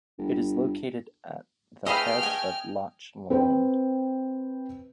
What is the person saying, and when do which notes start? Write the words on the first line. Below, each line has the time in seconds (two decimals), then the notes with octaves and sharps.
It is located at the head of Loch Lomond.
0.18 G1
1.86 A3 G#4 B4 D#5 F5 G5 F6
2.23 D#5 G#5
3.30 C4 B4 C5 G5